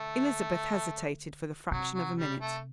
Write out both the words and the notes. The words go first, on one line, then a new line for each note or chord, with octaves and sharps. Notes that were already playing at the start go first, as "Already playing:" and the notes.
Elizabeth hesitated for the fraction of a minute.
Already playing: D3 A3
C3 F#3
F#3
G3
A3